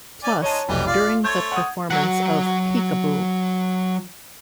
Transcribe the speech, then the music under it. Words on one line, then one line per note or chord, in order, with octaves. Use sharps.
Plus, during the performance of Peek-a-Boo!
C#4 D5 G#5
G#3 D#4 C#5 A5
F1 B1 E3 G3
F4 D5 F5
A3 C5 C#5 G6 G#6
F#5 D#6
F#3 F#5